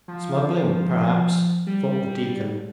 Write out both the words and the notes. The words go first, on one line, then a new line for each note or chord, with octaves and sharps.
"Smuggling, perhaps," thought the deacon.
F3
G3